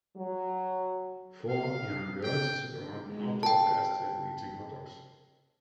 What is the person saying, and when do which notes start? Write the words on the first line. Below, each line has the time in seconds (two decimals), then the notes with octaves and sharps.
Four young girls sit around an outdoor glass table eating hotdogs.
0.17 F#3
1.49 F5
2.23 G5
3.03 G#3
3.43 G5 A5